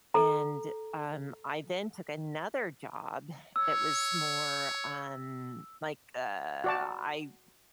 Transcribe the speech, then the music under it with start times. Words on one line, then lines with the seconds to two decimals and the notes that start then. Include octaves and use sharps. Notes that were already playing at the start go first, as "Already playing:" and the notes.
and, um, I then took another job that was more, um, like, uh, I w
0.14 A4 A#5
3.56 C#5 E6
6.64 F#4 D5 A5